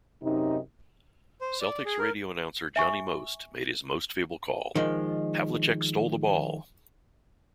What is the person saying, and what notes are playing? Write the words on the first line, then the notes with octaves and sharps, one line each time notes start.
Celtics' radio announcer Johnny Most made his most fabled call: Havlicek stole the ball!
F#2 C3 D#4
C5
D5
G#4
A#4
E5 G#5 C#6
D#3 F3 G#3